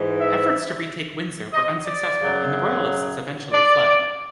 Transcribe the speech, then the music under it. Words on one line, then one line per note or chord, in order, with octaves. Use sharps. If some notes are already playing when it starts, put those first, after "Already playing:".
Efforts to retake Windsor were unsuccessful and the royalists eventually fled.
Already playing: G#2 E3
E5
D#5
D5
F#2 C#3 F#3
D5